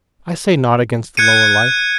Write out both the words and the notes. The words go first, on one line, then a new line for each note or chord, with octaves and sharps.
I say naught against the lower life.
F#6 G#6 C#7 D#7